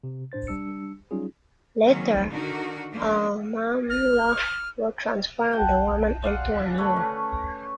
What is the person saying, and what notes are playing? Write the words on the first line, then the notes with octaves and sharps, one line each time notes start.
Later, Almamula would transform the woman into a mule.
C3
A2 D4 C5 A6
G3 D4 E6 C#7
F#3 G3 C#4 D#4 F4 G#4
D#3 F#3 G#3 A#3 C4 C#4
D3 D#3 D4 D#4 F#4 A#4
F3 A3 A#3 C#4 D4
F6
F#5 G5 A5
G#3 D5 F5 F#5
D3 A3 B4 C#5
C#4